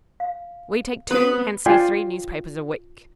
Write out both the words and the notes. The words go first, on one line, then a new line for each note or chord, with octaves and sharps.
We take two and see three newspapers a week.
F5
B3 C4 F4 A4 B4
F4 D5 G5 G#5 C6